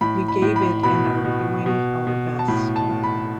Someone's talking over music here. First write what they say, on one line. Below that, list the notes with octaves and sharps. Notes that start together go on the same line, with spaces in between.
We gave it and are doing our best.
A2 B5
B5
A2
B5
B2 B5
B2
B2
B2
A5
A2 B5
A5
A2
B5